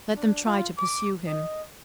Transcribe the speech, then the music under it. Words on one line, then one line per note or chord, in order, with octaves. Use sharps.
Let them try to pursue him!
D4
F4
D6
D#5